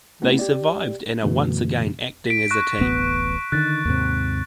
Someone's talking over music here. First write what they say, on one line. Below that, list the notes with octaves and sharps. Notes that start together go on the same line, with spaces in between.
They survived and are once again acting as a team.
A3 B3 C#4 E4
G4 D5
F#2 B2 D3 E3 A3
B6 D7
C#6 F#6 A#6
D1 A1 B3
D3 D#3 F#6 A6
D#2 G#2 C3